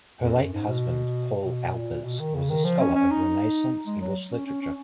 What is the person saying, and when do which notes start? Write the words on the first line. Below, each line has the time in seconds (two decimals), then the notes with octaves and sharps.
Her late husband, Paul Alpers, was a scholar of Renaissance English literature.
0.22 F2
0.37 F#2
0.53 G#2
0.68 B2
1.44 B2
1.74 A#2
2.04 B2
2.19 D#3
2.35 C#3
2.50 D#3
2.64 F3
2.80 C#4
2.95 C#4
3.11 D#4
3.87 G#3
4.01 F#3
4.31 C#4
4.47 C#4
4.61 C#4